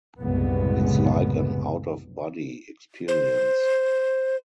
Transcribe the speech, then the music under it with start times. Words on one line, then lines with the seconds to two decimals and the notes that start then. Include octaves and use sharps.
It's like an out-of-body experience.
0.20 C2 F#2 A2 C#3 G#3 B3
3.08 C5